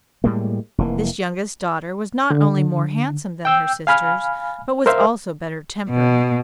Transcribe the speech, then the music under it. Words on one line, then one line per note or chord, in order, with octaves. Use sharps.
This youngest daughter was not only more handsome than her sisters, but was also better tempered.
A2 G3 G#3 A#3
F1 E3 A#3
D3
G5 E6 G6
F5 G#5 B5 F6
A#4 C5 E5 F5
B2